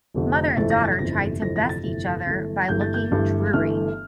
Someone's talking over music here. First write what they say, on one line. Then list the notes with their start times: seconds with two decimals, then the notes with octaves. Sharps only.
Mother and daughter try to best each other by looking dreary.
0.14 F1 F2 D3 A3
0.57 G1 F2 C3 E3 A3 A6
0.70 A#6
0.85 A6
0.99 G1 F2 C3 E3 A3 A#6
1.41 G1 F2 C3 E3 A3 A#6
1.56 A#6
1.69 A6
1.84 G1 F2 C3 E3 A3
2.26 G1 G2 E3 A3
2.69 G1 G2 E3 A3 G6
2.81 A6
2.94 G6
3.11 G1 G2 E3 A3
3.53 G1 G2 E3 A3 F6